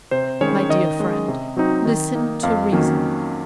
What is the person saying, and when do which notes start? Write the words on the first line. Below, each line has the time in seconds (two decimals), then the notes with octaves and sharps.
"My dear friend, listen to reason."
0.11 C3 C5
0.41 D#3 G#3 C#4 C#5
0.69 D#3 D#5
0.99 G#3 C#4
1.28 C3
1.57 F#3 C4 D#4
1.85 D#3
2.15 A#3 D#4
2.43 F2 F5
2.72 D#3 F#3 A#3 C#4